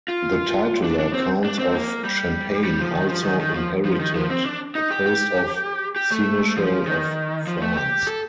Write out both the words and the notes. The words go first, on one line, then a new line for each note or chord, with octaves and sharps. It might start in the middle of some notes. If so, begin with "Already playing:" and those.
The titular counts of Champagne also inherited the post of seneschal of France.
F4
D4
D4
C4
D4
C4
A#3
G3
G3
F3
D#3
F3
D#3
D#3
F3
F3
D#3
F3
C4
D4
D#4
G4
G4
G4
A3
F3
D#3
F3
A3
G4
A4